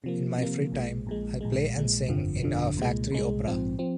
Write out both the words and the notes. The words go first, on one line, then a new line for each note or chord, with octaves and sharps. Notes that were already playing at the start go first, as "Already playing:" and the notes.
In my free time, I play and sing in our factory opera.
C3 F3 A#3
C3 F3 A#3
A#1 A#2 G#3
A#1 A#2 G#3
A#1 A#2 G#3
A#1 A#2 G#3
G1 F2 D3 F3
G1 F2 D3 F3
C2 A#2 G#3
C2 A#2 G#3
A#1 G#2 F3 C4
F3 C4